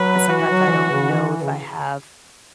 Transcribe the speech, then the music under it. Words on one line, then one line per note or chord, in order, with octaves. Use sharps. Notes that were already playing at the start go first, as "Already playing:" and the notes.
sometimes I don't know if I have
Already playing: F#3 B4
E3 F#4
F#3
E3
C#3
E3
C#3